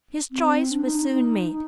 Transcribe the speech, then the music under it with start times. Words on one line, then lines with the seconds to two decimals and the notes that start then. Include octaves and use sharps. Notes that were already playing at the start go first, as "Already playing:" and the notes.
His choice was soon made.
0.31 C4
0.71 D4
0.85 D#4
0.95 D4
0.99 D#4
1.12 D#4
1.53 D#4